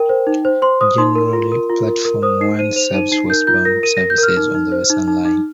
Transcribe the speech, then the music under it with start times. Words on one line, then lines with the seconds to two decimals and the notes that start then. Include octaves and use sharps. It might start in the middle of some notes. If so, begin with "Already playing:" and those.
Generally Platform One serves westbound services on the Western Line.
Already playing: A#4 G5
0.09 C5
0.27 D#4
0.45 C5
0.62 C5 C6
0.81 C5 D#6
0.98 D#4 C6
1.16 A#4
1.33 F4
1.52 A#4
1.70 F4
1.88 A#4
2.05 A#4
2.22 C5 D#6
2.41 D#4 C7
2.59 C5 D#7
2.76 C5 F7
2.94 D#4 D#7
3.12 D#4 C7
3.30 A#4 G6
3.47 F4 G6
3.65 A#4 A#6
3.83 A#4 D#7
3.97 A#4 A#6
4.10 G6
4.18 A#4 F6
4.37 D#4
4.55 D#4
4.72 C5
4.90 D#4
5.08 D#4
5.25 D#4